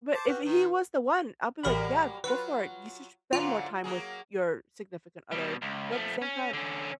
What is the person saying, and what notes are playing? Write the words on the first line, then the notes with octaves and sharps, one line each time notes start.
But if he was the one, I'll be like, “Yeah, go for it. You should spend more time with your significant other,” but at the same time,
C5 A5 D6
F#4 G4 B4
D#3
A1 F#3 G3 A#3 A#4 B5
F#3 F4 B4
G#2 D3 F#3 F4
F#3 A#3 G#4
B2 G3
C#2
F3 A3
C#4
D3 C#4